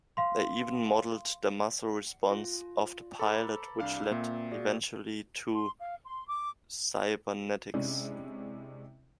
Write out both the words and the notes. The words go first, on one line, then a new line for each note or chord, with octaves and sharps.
They even modeled the muscle response of the pilot, which led eventually to cybernetics.
F5 C6
F4
A4 A#5 B5 D6
C2 D4 F5
A#2 A#3 C4 E5
F#4 G#4 D5
C6
F5
C6
D6
C3 G#3 C#4 D4 E4